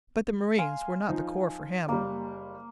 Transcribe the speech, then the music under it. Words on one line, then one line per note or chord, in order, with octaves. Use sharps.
But the Marines were not the corps for him.
F5 G#5 C6
F3 D#4
F#1 G3 A#3